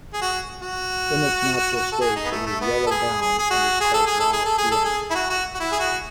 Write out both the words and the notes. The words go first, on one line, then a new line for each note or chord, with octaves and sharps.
In its natural state, it is yellow-brown and is called raw sienna.
G#4
F#4
F#4
A4
G#4
D#4
B3
A3
A3
B3
A4
G#4
G#4
G#4
F#4
G#4
A4
G#4
A4
G#4
A4
G#4
A4
G#4
E4
F#4
F#4
F#4
E4
G#4
F#4